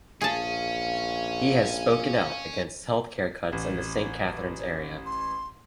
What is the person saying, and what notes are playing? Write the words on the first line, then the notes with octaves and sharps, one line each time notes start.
He has spoken out against health-care cuts in the Saint Catharines area.
A#1 C#4 G#4 F5 A5
A1
C6